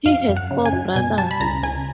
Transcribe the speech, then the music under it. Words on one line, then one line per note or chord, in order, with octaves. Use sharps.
He has four brothers.
F#2 F5
F#2
F#5
C#3
G#5
F#2
B2 G#5
G3 A5
B5
C#2 A#5
C#2 G#5